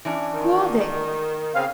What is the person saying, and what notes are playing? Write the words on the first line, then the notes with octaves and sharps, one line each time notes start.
"Who are they?"
E3 C#4 D4
D#3
C#3 C4 C#4 F5